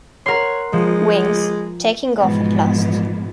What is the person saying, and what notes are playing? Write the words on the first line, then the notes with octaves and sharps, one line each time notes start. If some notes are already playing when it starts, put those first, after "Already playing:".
"Wings: Taking off at Last".
A#4 C#5 F#5 C6
F3 G#3
G#2 B2 E3 F3 G#3 B3